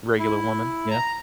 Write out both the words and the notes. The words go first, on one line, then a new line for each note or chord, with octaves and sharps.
Regular woman, yeah.
E4
A#5